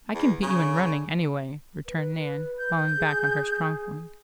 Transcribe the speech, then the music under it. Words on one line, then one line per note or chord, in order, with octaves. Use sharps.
"I can beat you in running, any way," returned Nan, falling back on her strong point.
E2
C#3
B4
G6
G#4